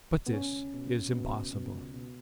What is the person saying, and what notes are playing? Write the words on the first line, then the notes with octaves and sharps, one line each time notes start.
But this is impossible.
D2
B3
B2 C#4
C#2
B2
C#2
B2
C#2
B2
C#2
B2